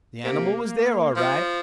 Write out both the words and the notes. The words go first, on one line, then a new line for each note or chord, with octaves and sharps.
The animal was there all right.
C3 A#3
F3